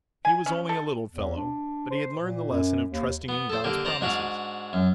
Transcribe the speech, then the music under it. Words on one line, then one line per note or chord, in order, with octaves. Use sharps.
He was only a little fellow but he had learned the lesson of trusting in God's promises.
G#5
C#4
A4
E2
D4
C5
A#2
F#2
D#2
B3
A4 C5
D3 A#3 G4
C5 D5 A5 A#5
G#2 D4 F#4 F5
F#2